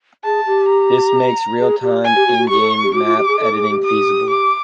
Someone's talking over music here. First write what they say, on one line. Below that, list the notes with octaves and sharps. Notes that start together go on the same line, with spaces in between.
This makes realtime in-game map editing feasible.
G#4 A5
G4
A#5
G#4
G4
G#5
G4
F#4
F#4
G4 C#6
A4
G4
F#4 D6
F4
G4
G#4
A4
G#4
G4
D#6
D6